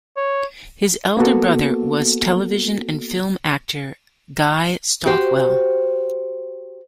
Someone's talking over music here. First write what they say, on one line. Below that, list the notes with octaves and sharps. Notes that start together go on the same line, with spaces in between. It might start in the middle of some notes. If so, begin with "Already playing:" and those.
His elder brother was television and film actor Guy Stockwell.
C#5
A#3 B3 F#4 A4
F#4 G4 C5